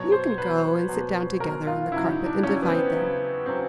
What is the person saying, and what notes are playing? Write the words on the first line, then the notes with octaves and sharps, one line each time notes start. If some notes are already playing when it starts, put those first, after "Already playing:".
You can go and sit down together on the carpet and divide them.
Already playing: B2 F#3 C#5
C5
B2 F#3 B4
B2 F#3
B2 F#3 A#4
F4
C#3 F#3 E4
D#4
D4
C#3 F#3 C#4
B3
C4
C#3 F#3
C#3 F#3 C4